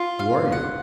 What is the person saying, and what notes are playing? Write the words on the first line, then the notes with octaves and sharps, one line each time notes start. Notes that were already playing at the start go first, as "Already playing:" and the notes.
"Who are you?"
Already playing: F4
F5
F#5